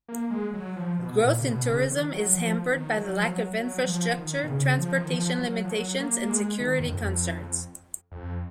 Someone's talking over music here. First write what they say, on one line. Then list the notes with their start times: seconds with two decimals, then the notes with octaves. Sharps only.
Growth in tourism is hampered by lack of infrastructure, transportation limitations and security concerns.
0.08 A#3
0.30 G#3
0.54 F#3
0.76 F3
0.99 B2
1.21 A#2
1.40 C#3
1.44 B2
1.67 C#3
1.90 D#3
2.12 F#3
2.35 F3
2.66 D#3
2.96 F#3
3.19 F3
3.26 F#3
3.57 F#3
3.80 F#3
3.87 F3
4.17 D#3
4.44 B2
4.47 C#3
4.78 F3
4.98 D#3
5.09 F3
5.38 F#3
5.64 F3
5.69 F#3
5.99 A#3
6.20 A#3
6.30 G#3
6.60 D#3
6.80 F#2
6.91 F2
8.12 F2